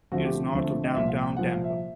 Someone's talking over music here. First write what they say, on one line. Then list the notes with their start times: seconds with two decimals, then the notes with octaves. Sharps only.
It is north of downtown Tampa.
0.12 D2 D3 F3 A3 C4 F#4
0.25 G4
0.53 D2 D3 F3 A3 C4
0.84 D#5
0.94 C2 A#2 F3 A#3 E5
1.08 F5
1.22 G5
1.36 C2 A#2 F3 A#3 F#5
1.50 F5
1.64 E5